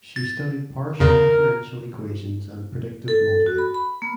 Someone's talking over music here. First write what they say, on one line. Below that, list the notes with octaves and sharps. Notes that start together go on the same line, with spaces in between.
She studied partial differential equations and predictive modelling.
A6
E2 C#3 A#4
A4
F#4
B5
B5
A#3